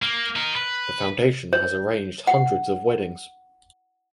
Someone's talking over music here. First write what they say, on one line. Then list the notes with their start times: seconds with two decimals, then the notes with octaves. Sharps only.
The foundation has arranged hundreds of weddings.
0.02 A#3
0.36 D#4 A#4
0.55 B4
1.53 C#5
2.27 F#5